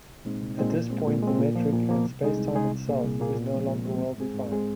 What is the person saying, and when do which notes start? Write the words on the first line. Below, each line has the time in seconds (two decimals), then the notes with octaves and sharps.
At this point the metric, and spacetime itself, is no longer well-defined.
0.09 C2
0.25 A#2 G#3 C4 D#4
0.42 C2
0.58 A#2 G#3 C4 D#4
0.74 A#2
0.90 G#3 C4
1.07 A#2
1.23 G#3 C4
1.39 A#2
1.56 F3 A#3
1.73 A#2
1.89 F3 A#3
2.06 C2
2.21 C3 G#3 D#4 G#4
2.37 C2
2.55 C3 G#3 D#4 G#4
2.70 C2
2.88 A#2 A#3 G#4
3.04 C2
3.20 A#2 A#3 G#4
3.36 A#2
3.53 F3 G#3 C4
3.68 A#2
3.85 F3 G#3 C4
4.01 G#2
4.18 G#3 C4 G#4
4.34 G#2
4.52 G#3 C4 G#4